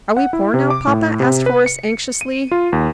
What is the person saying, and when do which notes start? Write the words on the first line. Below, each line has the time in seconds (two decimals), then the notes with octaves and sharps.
"Are we poor now, papa?" asked Horace anxiously.
0.17 F#5
0.33 E4
0.54 C3
0.70 D6
0.87 A2
1.20 C3
1.46 B4
1.66 C#7
2.21 D#7
2.52 F4
2.73 D#2